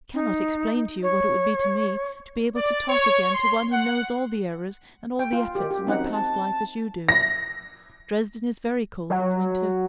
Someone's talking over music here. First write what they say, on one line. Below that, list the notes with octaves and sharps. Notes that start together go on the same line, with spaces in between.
I cannot explain to you what it would be to me to be able to talk again to one who knows all the errors and all the efforts of my past life as you do. Dresden is very cold in the winter.
D#4
C#5
D5
C#5
C6
F#5
G5
F4
D#3 G4
F#2 G4
C4 D#4 F#5
A5
A#6
F#3